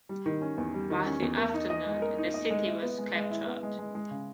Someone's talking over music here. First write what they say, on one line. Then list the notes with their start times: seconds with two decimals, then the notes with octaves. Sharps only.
By the afternoon, the city was captured.
0.09 G3
0.26 D#3
0.42 C#4
0.58 E2
0.74 G3
0.90 D#3
1.06 C#4
1.22 E2
1.37 A#4
1.54 D#4
1.70 D#5
1.87 G#3
2.02 A#4
2.18 D#4
2.34 D#5
2.50 G#3
2.67 E4
2.83 B3
2.99 G#3
3.15 G#3
3.30 E4
3.46 B3
3.63 G#3
3.79 G#3
3.95 G#3
4.11 C#3